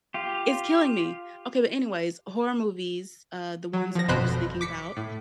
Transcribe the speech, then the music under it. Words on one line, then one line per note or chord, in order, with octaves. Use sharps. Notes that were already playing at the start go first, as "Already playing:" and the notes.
it's killing me. Okay, but anyways, horror movies, uh, the ones that I was thinking about,
F4 G4
F#3
F3 A#6
G1 F2 B2 C5 B5 F#6
D6 B6 C#7
A2